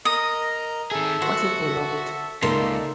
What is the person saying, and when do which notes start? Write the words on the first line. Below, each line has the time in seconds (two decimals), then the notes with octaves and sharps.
What if we love it?
0.05 A#4 D#5 A#5 D#6
0.91 D#3 G#4 A4 E5
1.22 F#4 C5
2.42 C#2 A#3 D#4 A4 D5 E5 A5 C6